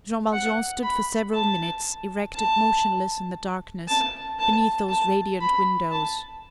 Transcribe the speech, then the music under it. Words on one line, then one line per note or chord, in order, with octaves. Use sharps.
Jean Valjean stood for several minutes, erect and motionless in the darkness, beneath those radiant windows.
F#5
B5
A5
A5
A5
A5
A5
B5
A5